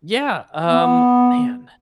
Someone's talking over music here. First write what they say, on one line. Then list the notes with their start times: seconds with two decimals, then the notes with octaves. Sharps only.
Yeah. Um, man,
0.66 B3